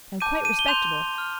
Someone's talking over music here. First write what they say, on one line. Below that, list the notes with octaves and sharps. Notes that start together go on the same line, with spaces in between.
"I am quite respectable."
A5 D6 G6 D#7
D#7
G7
C6 G6 F7
C6 F6